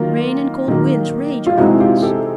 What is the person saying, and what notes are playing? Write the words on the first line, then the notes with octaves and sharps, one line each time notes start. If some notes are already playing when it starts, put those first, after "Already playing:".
Rain and cold winds rage around us.
Already playing: D#3 F#3 A#3 F4
D#3 F#3 A#3
F4
C3 E3 G#3 C4 D#4 E4 F#4
F4 G4
G4 A4